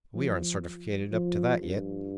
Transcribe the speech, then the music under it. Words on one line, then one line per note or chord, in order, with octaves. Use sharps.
We aren't certificated up to that yet.
F3
F3
G2